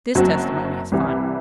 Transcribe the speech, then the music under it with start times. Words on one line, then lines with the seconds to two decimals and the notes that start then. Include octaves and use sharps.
This testimony is final.
0.15 F#1 F#2 F#3 C4 F#4
0.92 C2 C3 E3 G3